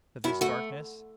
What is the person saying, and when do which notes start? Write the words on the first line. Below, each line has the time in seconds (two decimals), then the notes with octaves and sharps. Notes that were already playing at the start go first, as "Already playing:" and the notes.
"But this darkness?"
0.24 F#2 E4
0.41 A3 F#4